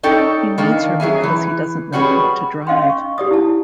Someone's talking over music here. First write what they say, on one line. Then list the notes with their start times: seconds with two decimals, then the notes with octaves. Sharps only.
He needs her because he doesn't know how to drive.
0.03 C#4 D#4 A4 D5 G5
0.58 D#3 A#3 D4
1.00 F#3 G#4 E5 G#5
1.23 E3
1.93 G3 C#4 F#4 G#4 B4
2.67 C#4 D#5 F5 G5 C6
2.89 C#6
3.18 G4 D5 D#6
3.31 E4 A5